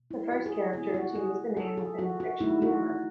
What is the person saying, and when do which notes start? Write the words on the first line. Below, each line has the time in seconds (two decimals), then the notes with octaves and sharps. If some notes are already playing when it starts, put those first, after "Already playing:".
The first character to use the name within the fictional universe.
Already playing: B2
0.11 E4
0.32 F#4
0.46 G#4
0.74 C#3 G#3 B3 E4 G#4
0.94 F#4
1.15 G#4
1.57 A4
1.77 G#4
1.99 F#4
2.20 F#4
2.40 D#3 A3 D#4 E4
2.62 F#4